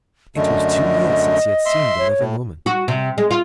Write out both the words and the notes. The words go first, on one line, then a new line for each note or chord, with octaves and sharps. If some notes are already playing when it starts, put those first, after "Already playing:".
It was two years since he had seen the living woman.
F#2 D3 A3 D#5
E5 C6
C#5
A2
F#4
C3
G#3
F4